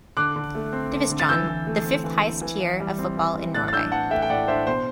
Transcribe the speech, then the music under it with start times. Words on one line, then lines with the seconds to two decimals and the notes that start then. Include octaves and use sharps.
Divisjon, the fifth-highest tier of football in Norway.
0.17 D3 D6 F#6
0.36 D3
0.55 A3
0.73 C4
0.92 D3
1.10 D3
1.20 A6
1.29 E3 E6 G6
1.48 E3
1.67 A3
1.85 C4
2.04 E3
2.23 E3
2.42 E3
2.60 E3
2.80 G3
2.98 C4
3.17 E3
3.36 E3
3.54 A2 F#6 A6
3.68 A6
3.73 D4 E6 G6
3.92 E3 F#5 A5
4.11 A3 E5 G5
4.22 G5
4.30 A2 D5 F#5
4.48 D4 C5 E5
4.67 B2 C5